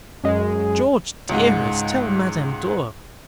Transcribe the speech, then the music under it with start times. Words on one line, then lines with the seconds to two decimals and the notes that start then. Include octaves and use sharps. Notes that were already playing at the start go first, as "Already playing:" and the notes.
George, dearest, tell Madame Dor.
0.24 F#2 G#3
1.29 C#2 G#2